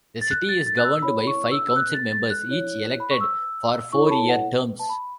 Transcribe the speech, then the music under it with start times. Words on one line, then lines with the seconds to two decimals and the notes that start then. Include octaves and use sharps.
The city is governed by five council members each elected for four-year terms.
0.21 A6
0.31 F#6
0.49 A6
0.67 A6
0.77 F#6
0.84 E6
1.02 E4 C#5 B5
1.27 C#6
1.51 E6
1.68 E6
1.76 F#6
1.94 A6
2.12 A6
2.30 F#6
2.48 E4 C#5
3.00 B5
3.11 C#6
3.21 E6
3.93 E4 A4 C#5 C#6
4.06 B5
4.11 A5
4.29 F#5
4.79 A5
4.89 B5